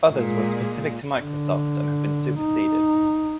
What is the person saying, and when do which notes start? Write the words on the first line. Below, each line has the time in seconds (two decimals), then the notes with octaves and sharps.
Others were specific to Microsoft and have been superseded.
0.12 A#2 G#3 G#4
1.20 D3
2.39 D#4